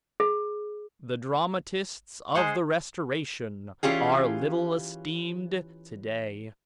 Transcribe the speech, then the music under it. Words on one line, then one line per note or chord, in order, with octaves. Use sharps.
The dramatists of the Restoration are little esteemed to-day.
G#4
G#3 G#4 C5 F#5
E3 C#4 F4 G4 G#4